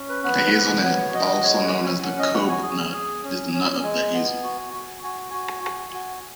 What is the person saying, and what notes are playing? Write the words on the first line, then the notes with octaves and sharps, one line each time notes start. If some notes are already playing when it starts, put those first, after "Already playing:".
The hazelnut, also known as the cobnut, is the nut of the hazel.
Already playing: C#4
B4
B3 B4
B3
F#4 C#5
F#4 D#5
G#3 C#5
F#5
C#4
G#5
C#4 F#5
D#5
F#4 F#5
G#5
G#4
G#4
C#4
C#4
G#3 G#5
B3
F#4
F#4
F#4 G#5
F#4 G#5
F#4
F#4